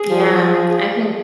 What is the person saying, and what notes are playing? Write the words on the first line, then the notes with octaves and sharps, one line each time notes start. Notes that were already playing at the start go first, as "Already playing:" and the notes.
Yeah, I think
Already playing: G#4
F3